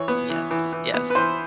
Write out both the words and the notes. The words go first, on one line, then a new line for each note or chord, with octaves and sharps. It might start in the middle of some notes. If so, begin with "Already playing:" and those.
Yes, yes.
Already playing: E3 C#5
B3
E3
E3
E3
B3
B4
E3 C5